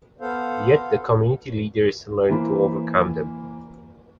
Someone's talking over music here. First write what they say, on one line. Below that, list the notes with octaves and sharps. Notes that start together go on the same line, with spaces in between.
Yet, the community leaders learned to overcome them.
B3 A4 C5 F5
E3 A#3 C5 B5